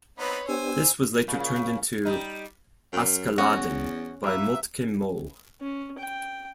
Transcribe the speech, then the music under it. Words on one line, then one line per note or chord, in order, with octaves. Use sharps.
This was later turned into "Askeladden" by Moltke Moe.
B3 C4 D#4 B4 C#5
B3 D4 G4 C5 G#5 E6
A#2 C#3
G3 D#4
F#2
E2 C#4 F#4
A#3 B4 E5
C#4
G5